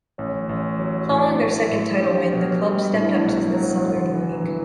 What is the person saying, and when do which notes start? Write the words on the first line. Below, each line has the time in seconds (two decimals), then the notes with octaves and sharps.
Following their second title win, the club stepped up to the Southern League.
0.18 A1 C#5
0.49 A1
0.79 F#3
1.10 A2
1.41 A2
1.72 A2
2.01 D4 G4
2.33 B2
2.63 G3
2.94 A2 D4
3.02 E4
3.10 D4
3.25 B1
3.54 F#3
3.85 G1
4.15 E3
4.47 E3